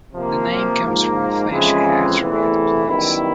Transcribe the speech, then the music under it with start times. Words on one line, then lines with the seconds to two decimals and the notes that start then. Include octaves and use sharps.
The name comes from a fish hatchery at the place.
0.13 C3 F3 A#3
0.82 G#2 F3 A#3
1.50 F2 C#3 E3 G#3
2.18 E2 C3 E3 A3
2.86 F#2 D#3 G3 B3 E4